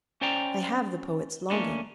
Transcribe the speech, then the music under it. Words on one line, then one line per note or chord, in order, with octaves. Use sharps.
I have the poet's longing.
C#4 C5 D5 G5 A#5
A3 A#3 C#4 D4